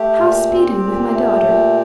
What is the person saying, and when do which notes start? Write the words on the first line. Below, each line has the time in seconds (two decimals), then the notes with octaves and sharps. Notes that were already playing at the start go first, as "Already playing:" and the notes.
"How speed you with my daughter?"
Already playing: A3 G4
0.18 A#2
0.49 C4
0.80 A#2
1.11 A3
1.41 A#2